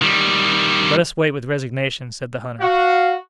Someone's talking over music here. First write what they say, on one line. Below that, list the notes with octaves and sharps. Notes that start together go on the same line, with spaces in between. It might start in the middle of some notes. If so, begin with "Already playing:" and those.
"Let us wait with resignation," said the hunter.
D#3 G3
F#4 F5